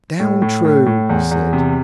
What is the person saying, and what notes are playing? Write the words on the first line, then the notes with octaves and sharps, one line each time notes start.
"Down, True!" he said.
A2
A2
A2
A2
E2
E2
C3